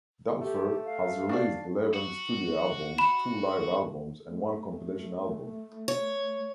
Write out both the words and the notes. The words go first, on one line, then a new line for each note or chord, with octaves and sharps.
Dulfer has released eleven studio albums, two live albums, and one compilation album.
A3 G4
F5
D4 F#4 D5
F#4
B5 E7
A3
C#5